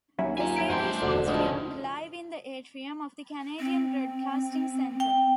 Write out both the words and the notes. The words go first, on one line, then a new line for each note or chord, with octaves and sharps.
The series was filmed live in the atrium of the Canadian Broadcasting Centre.
D#2 F#3 C#4 E4
F4 G#5 A#5
F#3 E4 D7
F2 G#3 C4 D4 C5 A#5
E1 D3 F#4
D2 G#2 C#3 F3 D5 D#5 D#6
C4
G5